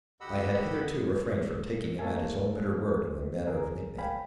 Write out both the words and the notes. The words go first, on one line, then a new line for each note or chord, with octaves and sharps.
I had hitherto refrained from taking him at his own bitter word in the matter of nick-name.
D2 G4 D#5 F#5 B5 E6
A3 A#3 A4 F5 G#5
D2 G#4 A#4
F5 G5 G#5 B5